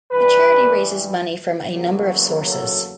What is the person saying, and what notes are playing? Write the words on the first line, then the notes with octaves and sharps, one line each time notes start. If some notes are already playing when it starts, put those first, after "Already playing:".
The charity raises money from a number of sources.
G2 E3 G3 B4
E2 C#3 F#3 A#3
A4